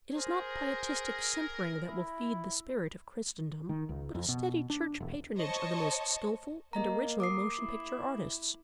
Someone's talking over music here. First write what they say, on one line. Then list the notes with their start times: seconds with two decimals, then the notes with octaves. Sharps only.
It is not pietistic simpering that will feed the spirit of Christendom, but a steady church-patronage of the most skilful and original motion picture artists.
0.16 G#4 A#4 C5
1.87 E4
3.69 D#3
3.89 C#2
4.15 F2
4.28 B2
4.70 D4
5.00 E1
5.37 C5 C#5 D#5 A5 C#6
6.73 A#3 D#5 A#5
7.20 D6 D#6 C7
7.57 E4